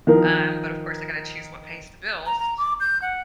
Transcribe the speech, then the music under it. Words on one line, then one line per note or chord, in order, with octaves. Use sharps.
Um, but of course, I've gotta choose what pays the bills.
D#3 F3 A#4
A#5
A#5
D6
G6
F#5